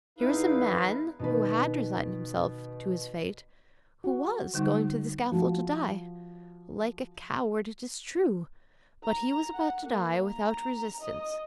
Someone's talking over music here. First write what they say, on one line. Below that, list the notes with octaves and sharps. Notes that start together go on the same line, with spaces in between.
Here is a man who had resigned himself to his fate, who was going to the scaffold to die--like a coward, it is true, but he was about to die without resistance.
E2 D#4 E4 B4 F5
B2 D#3 B4
F#4
D3 G3 D#4
F3 F#4
A#5
F#5
A#3
A#5
D#5